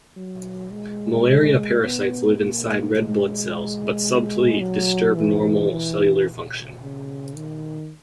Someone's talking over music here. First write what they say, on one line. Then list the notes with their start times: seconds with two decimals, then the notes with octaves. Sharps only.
Malaria parasites live inside red blood cells, but subtly disturb normal cellular function.
0.17 F#3
0.72 G#3
1.83 B3
2.38 A#3
2.93 G#3
4.60 F#3
5.15 E3
5.71 E3
6.82 C#3
7.36 D#3